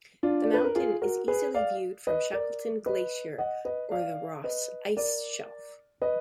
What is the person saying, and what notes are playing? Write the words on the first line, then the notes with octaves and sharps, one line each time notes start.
The mountain is easily viewed from Shackleton Glacier or the Ross Ice Shelf.
D4 F4
D5
B4
A#4
F4 G#4
F#4 A#4
G#4 B4
D5 F5
B4 D#5
A#4 D5
B4 D#5
D#5 F#5
B4 D#5
D5 F5
B4 D#5
A#4 D5
B4 D#5